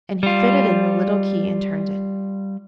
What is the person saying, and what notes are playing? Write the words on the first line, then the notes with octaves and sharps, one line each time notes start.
And he fitted in the little key and turned it.
G3 F4